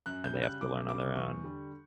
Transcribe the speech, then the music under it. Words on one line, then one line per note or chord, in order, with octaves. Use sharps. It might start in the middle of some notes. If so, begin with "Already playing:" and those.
and they have to learn on their own.
F#2 F#6
G6
C#3 G3
F#6
F#2 D6
C#3 G3 D6
E2 C#6
D3 G3